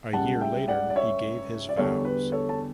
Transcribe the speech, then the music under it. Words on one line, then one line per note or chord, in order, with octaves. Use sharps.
A year later he gave his vows.
C#2 C#3 G3 F#5 A5
E5 G5
D5 F#5
D5
C#5 E5
D5
E2 D3 G3 A4 C#5
B4
A4 C#5
A5